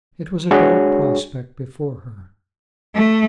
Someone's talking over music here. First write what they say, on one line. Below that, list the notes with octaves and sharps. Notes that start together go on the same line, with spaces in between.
It was a dark prospect before her.
G#3 D4 F#4 G#4 C#5
A3